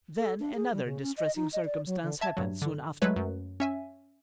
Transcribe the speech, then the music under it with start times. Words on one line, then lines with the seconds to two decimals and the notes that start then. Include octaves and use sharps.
Then another distressing circumstance happened soon after.
0.19 A4
0.40 D4
0.55 G#4
0.72 G3
0.85 C#3
1.02 C#4
1.18 D#5
1.36 D#4
1.53 D#5
1.65 D5
1.86 F#3
2.03 D3
2.21 E5 A5 G#6
2.37 G2 F#3
2.62 D3
3.02 F#3 G#3 A3 B4 C#5
3.16 F#2
3.60 C#4 E5 G#5